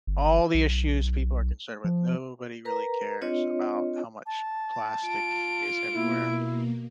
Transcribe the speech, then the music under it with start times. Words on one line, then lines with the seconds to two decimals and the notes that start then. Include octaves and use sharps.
all the issues people are concerned with, nobody really cares about how much plastic is everywhere,
0.07 G1
0.54 B1
1.84 F3
2.65 A#4 B4 A#5
3.21 C4 D4 F4 C#5 D#5
4.26 A5
5.03 F4 D7
5.94 B2 A#3 E4